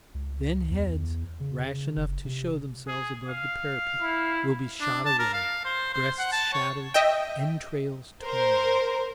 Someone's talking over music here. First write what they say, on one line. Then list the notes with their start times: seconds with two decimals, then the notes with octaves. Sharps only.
Then heads, rash enough to show themselves above the parapet, will be shot away, breasts shattered, entrails torn.
0.14 C#2
0.70 E2
1.40 C#3
1.96 F#1
2.25 C3
2.87 G#4
3.29 F5
4.02 E4
4.81 D4
5.06 A5
5.19 A#4
5.33 F5
5.65 C5
5.93 C5
6.18 F#5
6.32 A5
6.53 C#5
6.94 D#5 E5 G5
8.24 A#4 C5